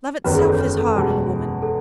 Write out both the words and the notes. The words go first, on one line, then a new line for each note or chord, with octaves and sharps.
Love itself is hard on a woman.
F#1 E2 D#3 F#3 B3 B4
G#4
A4
C#5
B4
A4
E2 B2 G#3
A4